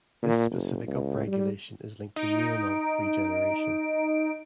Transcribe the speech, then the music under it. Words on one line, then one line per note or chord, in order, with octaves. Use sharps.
This specific upregulation is linked to neuronal regeneration.
A#2
F#1
C#2
G3
D#4 D7